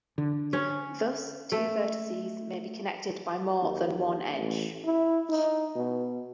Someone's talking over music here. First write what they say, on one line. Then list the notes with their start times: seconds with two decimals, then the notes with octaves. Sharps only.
Thus two vertices may be connected by more than one edge.
0.18 D3
0.53 C#4
1.52 A3
3.61 D#2
4.34 A1
4.84 E4
5.29 D#4
5.75 B2